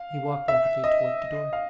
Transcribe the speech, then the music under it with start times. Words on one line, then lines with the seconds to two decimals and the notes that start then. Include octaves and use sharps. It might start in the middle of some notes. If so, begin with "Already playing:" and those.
He walked rapidly towards the door.
Already playing: F5
0.48 E5
0.84 D#5
1.53 F5